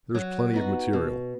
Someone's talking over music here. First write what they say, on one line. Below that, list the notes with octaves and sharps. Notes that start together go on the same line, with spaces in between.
There is plenty of material.
F#3
B3 D#4 F#4
B2